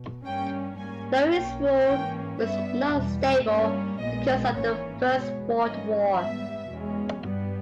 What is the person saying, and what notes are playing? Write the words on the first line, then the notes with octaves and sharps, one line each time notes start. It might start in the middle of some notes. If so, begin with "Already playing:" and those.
Though his rule was not stable because of the First World War.
Already playing: B2
G2 G3 A#3 C#4 G5
G#2 G3 A#3 C#4 G#5
B1 B2 A#3 C#4 G5
G#2 E3 A#3 C#4 G5
G2 G3 B3 E5
E2 B2 G3
G2 G3 A#3 C#4 C#5
A#1 A#2 G#3 B3 D#5
G#1 G#2 E3 A#3 C#4 C#5
E2 B2 G#3 B3 C#5
G#2 E3 G3 A#3 C#4 D#5
G#2 G3 B3 E5
E2 B2 G#3 C#4
G2 G3 B3